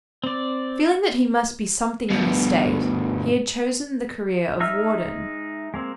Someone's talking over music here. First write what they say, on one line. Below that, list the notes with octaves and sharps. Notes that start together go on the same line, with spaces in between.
Feeling that he must be something in the State, he had chosen the career of warden.
C4 D5
G2 B2
G#3 D#4 E5 E6 F6
G#3 A#3 C4